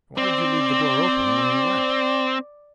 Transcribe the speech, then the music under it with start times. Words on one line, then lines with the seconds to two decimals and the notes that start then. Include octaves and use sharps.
'Why did you leave the door open when you went?'
0.18 C4 D5